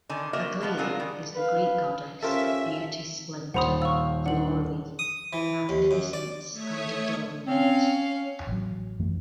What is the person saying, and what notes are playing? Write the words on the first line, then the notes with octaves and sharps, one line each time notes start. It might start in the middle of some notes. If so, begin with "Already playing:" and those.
Aglaea is the Greek goddess of beauty, splendor, glory, magnificence, and adornment.
D3 D#3 D#4 G#5
A#3 F#4 A#4 D#5 E5
F3 B3 A4
F#3 G#3 D4 F4 G#4 A#4
D#3 G3
B4 F5
C#4 F4 G4 A4 A#4 C5 E5
D#1 C5 F#5 B5 D#6 F7
F5 C#6 E6
D#3 D4 F#5 F#7
D#6
E3
D#2
F#2
D5
A3 C#5 E5 D#6 G#6 C#7
C4 C#4 F5
A1 F#3
F#2 E3 A3